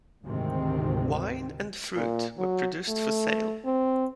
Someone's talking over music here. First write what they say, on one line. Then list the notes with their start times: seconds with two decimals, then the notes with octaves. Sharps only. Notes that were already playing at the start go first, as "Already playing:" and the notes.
Wine and fruit were produced for sale.
0.24 G#1 D2 G#2 C3 D#3 C4
1.96 A#2
2.38 F#3
2.89 A3
3.65 C4